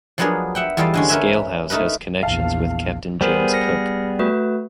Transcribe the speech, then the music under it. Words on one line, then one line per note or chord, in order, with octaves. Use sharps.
Skaill House has connections with Captain James Cook.
F3 F#3 B3 D4 G#4 A#4
E5 F#5 G5
E2 G3 F4 A4 D#5 F5
D3 G#3 C#4
C#4 A#4 B4 E5 G#5
A3 D#4 A#4 B4
A#1 E2 F5 A5
G3 B3 G#4 A#4 C5
F6 A#6 C#7
A3 F#4 B4